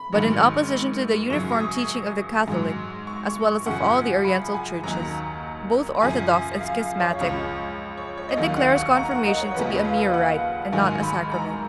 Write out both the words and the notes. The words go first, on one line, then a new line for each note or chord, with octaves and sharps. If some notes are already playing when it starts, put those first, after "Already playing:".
But, in opposition to the uniform teaching of the Catholic, as well as of all the Oriental churches, both orthodox and schismatic, it declares Confirmation to be a mere rite and not a Sacrament.
Already playing: B5
G#2 D#3 F#3
F#2 C#3 F#3 C#6
C#6
D#6
G#2 F#3
C#6
C#6
F#2 C#3 F3 F#5
B5
G#5
D#2 D#3 F#3 A#5
F#2 C#3 F3 G#5
F5
C#5
C#2 C#3 F3
C#5
C#5
D#5
D#2 D#3 F#3 F5
F#5
C#6
A#5
F#5
D#5
C#5
D#2 C#3 F3 B4
D#5
F5
F#5
G#2 D#3 F#3 G#5
B5
A#5